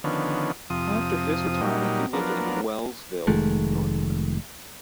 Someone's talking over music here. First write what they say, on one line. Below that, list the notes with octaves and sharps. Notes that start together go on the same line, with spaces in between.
After his retirement he lived in Wellsville, New York.
D3 D#3 F3 B3 C#4
F2 C3 F3 D#6
A#2 F#3 G3 D#4
F3 F#3 B3 D4 A#4
F1 D#3 G#3 A3